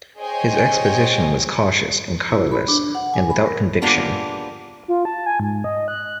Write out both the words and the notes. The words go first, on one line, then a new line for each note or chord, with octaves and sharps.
His exposition was cautious and colourless, and without conviction.
G#4 C5 C#5 D#5 G5 G#5
E4
B5
D4
F#5
G#5
B5
A#4
G#3 A#3 B3 D4 F4 G4
F4
A5
G#5
G#2
D#5
F#6